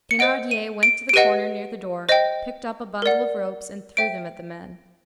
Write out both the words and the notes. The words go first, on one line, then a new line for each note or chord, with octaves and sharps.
Thenardier went to the corner near the door, picked up a bundle of ropes and threw them at the men.
C#7
C5 D#5 F#5 D7
D#7
D7
D7
G4 B4 D#5 F#5 D#7
C5 D#5 G5
A#4 D5 F#5
C5 E5 G5 D7